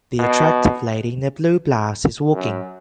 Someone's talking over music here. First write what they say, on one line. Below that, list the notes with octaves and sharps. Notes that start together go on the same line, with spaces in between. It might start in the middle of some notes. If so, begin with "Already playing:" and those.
The attractive lady in the blue blouse is walking.
B2
F#2